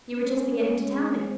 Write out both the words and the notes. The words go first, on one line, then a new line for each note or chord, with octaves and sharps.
"You were just beginning to tell me."
C#4
C#4
G#3
G#3
C4